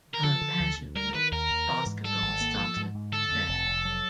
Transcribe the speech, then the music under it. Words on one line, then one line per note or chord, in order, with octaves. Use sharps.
Her passion with basketball started there.
A#4
F3 A4
D3
D2
D2
G3 A#4
D#3 B4
D#2 A#4
D#2
E3
G#2
G3 A4
G#1
A#3
F3
G#2
G#2
D3 A4
F2
F1
F1
F#3